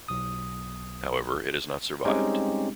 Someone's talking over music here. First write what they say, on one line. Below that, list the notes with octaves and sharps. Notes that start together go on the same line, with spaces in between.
However, it has not survived.
B1 D#6
G3 G#3 C4 C#4 D#4 G4